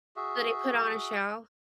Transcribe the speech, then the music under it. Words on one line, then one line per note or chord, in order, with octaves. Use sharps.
So, they put on a show?
F#4 G#4 E5